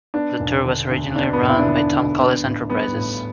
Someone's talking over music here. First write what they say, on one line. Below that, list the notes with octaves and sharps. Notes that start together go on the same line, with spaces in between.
The tour was originally run by Tom Collins Enterprises.
B3 D4
E1
D3
D2
B3 D4
B3
E1
E4
D4
D3 B3
D4
D2
B3
A1
G3 B3
A2